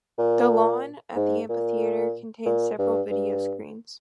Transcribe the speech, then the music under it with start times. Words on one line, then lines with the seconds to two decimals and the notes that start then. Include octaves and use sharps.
The lawn at the amphitheater contains several video screens.
0.18 A#2
1.16 G#2
1.49 A#2
2.46 A#2
2.79 G2
3.11 G2